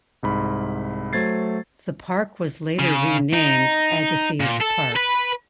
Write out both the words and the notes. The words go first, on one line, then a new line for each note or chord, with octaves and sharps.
The park was later renamed Agassiz Park.
C2 G#2 B5
F#3 A3 C5 G#6 A6 C7
C#3
D#4
A#2
A4
B4